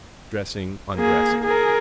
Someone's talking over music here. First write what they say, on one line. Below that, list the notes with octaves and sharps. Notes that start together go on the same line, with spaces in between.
Dressing, undressing.
A#3 G#4
G#4 A#4